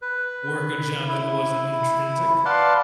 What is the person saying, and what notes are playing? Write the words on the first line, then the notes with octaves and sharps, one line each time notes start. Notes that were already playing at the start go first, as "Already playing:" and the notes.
work a job that wasn't intrinsic,
B4
E4
B4 D5 F5 F#5 A5 C6